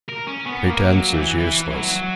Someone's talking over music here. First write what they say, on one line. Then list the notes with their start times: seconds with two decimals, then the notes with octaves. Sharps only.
Pretence is useless.
0.09 A#4
0.27 C#4
0.46 B3
0.64 A#3
0.89 F#3
1.13 E3
1.38 E3
1.70 E3
1.75 F#3